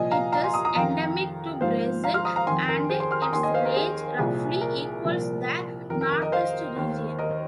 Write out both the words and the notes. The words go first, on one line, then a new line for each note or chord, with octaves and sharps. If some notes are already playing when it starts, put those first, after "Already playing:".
It is endemic to Brazil, and its range roughly equals the Northeast Region.
Already playing: C2 A#2 F3 D#5 G#5
F5 A#5
F5 A#5
G#5 C6
A#5 D#6
A#5 D#6
F2 D#3 F5 A#5
G#2 F3 C5 F5
F5 A#5
C6 F6
A#5 D#6
F5 A#5
F2 D#3 G#5 C6
A#4
G#4 C5
G#5 C6
C6 F6
A#5 D#6
D#2 D#3 G#5 C6
D#5 G#5
C5 F5
A#4
G#4
C2 A#2 F3 G#4
A#4
C2 A#2 F3
F2 D#3 A#4
A#4
A#4
A#4 D#5
C5 F5
D#2 D#3
A#4 D#5